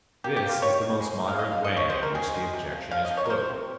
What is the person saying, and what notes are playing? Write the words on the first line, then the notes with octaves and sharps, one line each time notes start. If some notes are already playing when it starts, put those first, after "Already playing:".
This is the most moderate way in which the objection is put.
A#3 G4
G4
A#3
F4
D#3 C#5
A#3
G#3
D#3
F5
C3 D#5
F5
A#3
D#5
F3 C#5
C5
C3
A#4
D#3 G#4
G#3
C3
F3
F3 F5
D#5
F3
C#5
A#4
F3 C5
C3